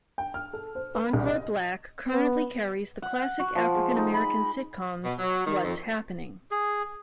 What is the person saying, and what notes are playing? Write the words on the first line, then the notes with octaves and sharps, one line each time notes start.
Encore Black currently carries the classic African American sitcoms What's Happening!!
G5
F6
A4
C5
B4
C2
D#5
B3
F#5
F#4
F3
G#3
D#4
B5
B2
F#3
D#3
F2
G#4